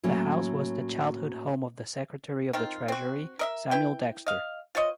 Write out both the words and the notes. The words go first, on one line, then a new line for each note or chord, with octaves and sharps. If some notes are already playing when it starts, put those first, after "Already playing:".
The house was the childhood home of the Secretary of the Treasury Samuel Dexter.
A2 F#3 A#3 C#4
D#3 C4 F4
C4 F#4
A#4 D#5 E5
E4 B4 G5
D#5 F5
F4 C5 C#5 D#5